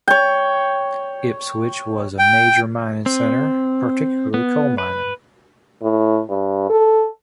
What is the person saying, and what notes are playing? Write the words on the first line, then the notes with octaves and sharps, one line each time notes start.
Ipswich was a major mining centre, particularly coal mining.
C#5 G5
G5
C4
B3
B4
A2
G2
A4